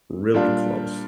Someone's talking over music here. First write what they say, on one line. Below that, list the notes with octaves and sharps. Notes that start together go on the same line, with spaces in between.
really close.
A#2 G3 D4 F4